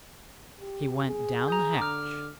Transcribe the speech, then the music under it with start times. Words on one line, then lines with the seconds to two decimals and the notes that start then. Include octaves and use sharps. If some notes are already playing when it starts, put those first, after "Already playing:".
He went down the hatch.
0.61 G4
1.07 G#4
1.48 A#5 D#6 G6
1.78 D3 D6 F6